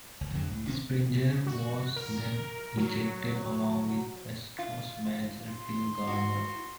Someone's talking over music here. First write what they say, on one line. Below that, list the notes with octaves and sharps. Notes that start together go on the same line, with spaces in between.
Springer was then ejected along with Astros manager Phil Garner.
C#2
F2 D3 F#3 G#3
C#2 A2
C3 D#3 C4 C#4
F#4
A#4
F#3
F4
C6
F#4